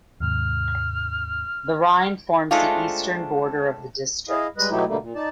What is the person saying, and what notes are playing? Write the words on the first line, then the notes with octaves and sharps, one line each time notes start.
The Rhine forms the eastern border of the district.
D#2 G#2 C3 F6
G#3 A3 C4 D4 D#4 F4
E4 G#4 D#5 F5
G3 G#3 B4 D#5
B2 F#3 A3 D#4 E4 G4
B2 D3 G3 A3 A#3
A#2
D#4 D5 A5